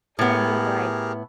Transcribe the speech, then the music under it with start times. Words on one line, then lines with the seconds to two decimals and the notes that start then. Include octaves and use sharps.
and you're, like,
0.19 A2 B3 G4 G#4 A#4